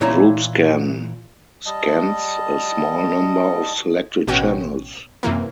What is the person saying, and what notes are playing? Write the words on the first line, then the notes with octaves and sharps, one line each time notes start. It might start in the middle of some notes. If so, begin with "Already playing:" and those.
Group Scan scans a small number of selected channels.
A#2 E3 E4 C#5 E5 A#5
G3 D#5 A5
A1 B2 C#4 F#4 G5
F#2 C3 E3 A#3